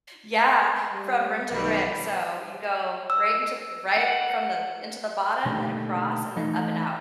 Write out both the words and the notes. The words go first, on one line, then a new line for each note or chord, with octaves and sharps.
Yeah. From rim to rim, so you go right into th right from the into the bottom and across and then up and out.
G3
B1 D#3 G3 B4
E6
F#5
B2 D3 D#3 G3 A3 A#3
E3 A3 D#4